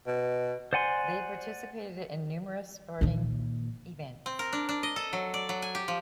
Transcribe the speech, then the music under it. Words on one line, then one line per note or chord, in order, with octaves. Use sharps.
They participated in numerous supporting events.
B2
C5 D5 F#5 G#5 C6
A#2 D#3
C4
A#4
D4
D4
D#5
A4
F#3
D5
F#3
G#5
G4
F3